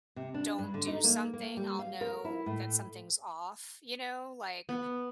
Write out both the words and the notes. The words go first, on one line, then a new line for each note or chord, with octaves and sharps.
don't do something, I'll know that something's off, you know? Like,
C3
D4
G2
D3
D#4
A#3
A#3
G3
F5
A#4
E4
A2
B3